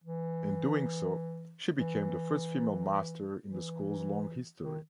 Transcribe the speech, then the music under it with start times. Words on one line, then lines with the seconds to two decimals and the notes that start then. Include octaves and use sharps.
In doing so, she became the first female master in the school's long history.
0.04 E3
1.76 E3
3.47 E3
4.62 D#3